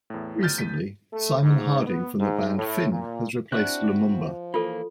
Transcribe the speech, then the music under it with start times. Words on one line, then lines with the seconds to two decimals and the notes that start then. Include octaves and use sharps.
Recently, Simon Harding from the band Fin has replaced Lumumba.
0.10 E2 A2
0.42 F6 G6 A6
0.58 B6 D#7
1.13 A3
1.42 G#2
1.86 B3
2.19 G#2
2.57 A2
2.91 A#2
3.52 C4 D4 E4 F#4 F#6
4.14 F3
4.54 E3 A#3 F4 A4